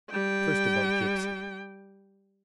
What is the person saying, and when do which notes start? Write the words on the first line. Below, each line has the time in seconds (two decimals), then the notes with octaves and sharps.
First about Gypsy.
0.11 G3 G5